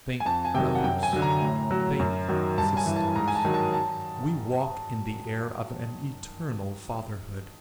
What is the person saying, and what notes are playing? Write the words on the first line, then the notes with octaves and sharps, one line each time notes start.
Think, brothers, think, sisters, we walk in the air of an eternal fatherhood.
G#5
F2 A5
G#5
C3 D#3 F#3 G5
F#5
F#2 G5
G#5
D3 F#3
A#5
A2
F#3
F#2
D#3 F#3
G2 A5
G#5
E3
A5
G#2 A#5
G#5
A5
D#3 F#3
A5
A5